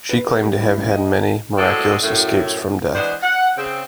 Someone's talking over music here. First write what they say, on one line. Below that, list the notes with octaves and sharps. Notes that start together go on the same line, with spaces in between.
She claimed to have had many miraculous escapes from death.
B4
A#4
G3
E4
A1
D#5
A2 G#3 C4 F#4 A4 D5
F#2 A2
E3 G#3 B3 D4 C5
F#5
C#3 C4